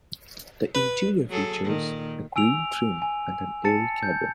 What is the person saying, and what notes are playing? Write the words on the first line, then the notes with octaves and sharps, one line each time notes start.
The interior features a green trim and an airy cabin.
B4
F#3 G#4 A4
A#2 D#3
G#5 E6 D7 F7
G#5
A5 A6 C#7
G6